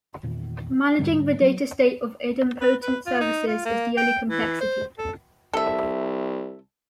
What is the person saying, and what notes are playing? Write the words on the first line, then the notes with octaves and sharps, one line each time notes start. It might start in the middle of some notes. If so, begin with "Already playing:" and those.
Managing the data state of idempotent services is the only complexity.
E2 A#2 D#3
G#2 D3 G3
F#3 B3
B4
B4
F4
D#4
F4
A#3
G5
E3
C5
A4
C2 A4 E5